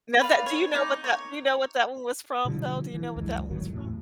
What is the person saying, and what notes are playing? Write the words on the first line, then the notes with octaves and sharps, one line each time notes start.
Now that do you know what that do you know what that one was from, though? Do you know what that one was from?
B4 D5 F5
C#5
D#4 D6
C#5
B2 D3 F3 G3
E3
C#2 F#2 E3 G#3
A1 G#2 D#3 F#3
E2 A2